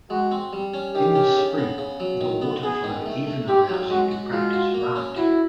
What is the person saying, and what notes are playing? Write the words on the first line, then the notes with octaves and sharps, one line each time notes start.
In the spring the water flow even allows you to practice rafting.
G#3 F#4
C4
G3
C#4
D#3 G4
C#4
C#3
B3
C#3
F#3
D#3
B3
B3 G#4
D#3
A3
A3
C4 G4
F#3
G#3 F#4
F#4
G#3 F4
F#4
A#3
C#4
E4 F#4